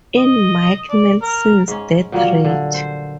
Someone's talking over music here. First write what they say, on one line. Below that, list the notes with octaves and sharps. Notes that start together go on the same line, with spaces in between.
In Mike Nelson's Death Rat!
D#5
D5
A#4
G#2 C#4
A#2 F#3 G3 A#3
D3
C5